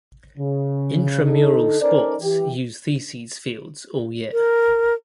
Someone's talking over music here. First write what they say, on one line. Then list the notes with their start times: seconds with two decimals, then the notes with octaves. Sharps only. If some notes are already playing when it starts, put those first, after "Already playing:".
Intramural sports use theses fields all year.
0.38 C#3
1.24 D3 D#4 A4
1.81 C#4 D#4 A4 A#4 C5 D5
2.21 E3 G4
4.33 A#4